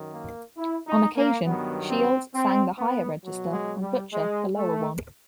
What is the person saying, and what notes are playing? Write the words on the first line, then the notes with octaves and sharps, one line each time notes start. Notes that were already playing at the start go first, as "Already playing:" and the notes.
On occasion Shields sang the higher register and Butcher the lower one.
Already playing: F#2 D#3 F#3
A#3
E4
D#4
A#3
G2 D#3 F#3 B3
C4
C4
B3
B2 F#3
G#3
G3
G#3
A3